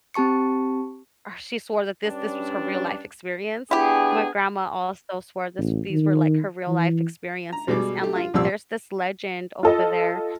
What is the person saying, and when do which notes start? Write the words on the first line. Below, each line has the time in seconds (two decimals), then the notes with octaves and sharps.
ugh, she swore that this this was her real life experience. My grandma also swore this these were, like, her real life experiences, and, like, there's this legend over there,
0.14 C4 G4 A5 C#6 C#7
2.04 G2 C#4 D4
3.71 B3 D4 E4 G4 G#4
5.58 A1
5.91 D#3
6.68 E3
7.52 A#5
7.68 B2 G3 G#3 D6
8.01 A3 G4
8.16 F4
8.34 C2 A#2 F3 C4 G4 E6
9.63 F4 A4 D#5